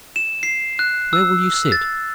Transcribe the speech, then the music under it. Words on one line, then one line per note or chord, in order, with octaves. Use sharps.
Where will you sit?
E7
C7
F#6
E6
A6